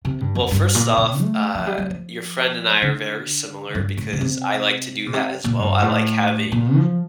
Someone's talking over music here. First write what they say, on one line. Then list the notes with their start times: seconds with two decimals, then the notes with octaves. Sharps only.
Well, first off, uh, your friend and I are very similar because I like to do that as well, I like having
0.05 C3
0.21 G2
0.35 F2
0.51 G2
0.75 A#2
0.97 A#2
1.21 A3
1.55 F3
1.67 G3
1.78 G3
1.90 F3
2.82 D3
3.75 G2
3.97 A2
4.13 D3
4.21 C3
5.06 A#2
5.13 C3
5.44 A#2
5.59 G2
5.82 A2
6.52 A#2
6.76 F3